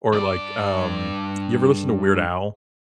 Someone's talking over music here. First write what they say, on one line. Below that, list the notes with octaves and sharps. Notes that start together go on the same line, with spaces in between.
Or, like, um, you ever listen to Weird Al?
G2 D5